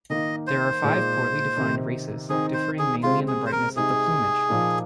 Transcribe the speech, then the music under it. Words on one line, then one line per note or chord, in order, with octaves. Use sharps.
There are five poorly defined races, differing mainly in the brightness of the plumage.
D#3 A#3 D#4 D#5
C5
A#2 G#3 D#4
C3 D#3 C4 D#4
D#3 C4 D#4 G#4
C5
G#4
C3 G#3 C4 F4
G#4
C5
A#4
C3 G#3 D#4 G#4
A#2 F3 A#3 D#4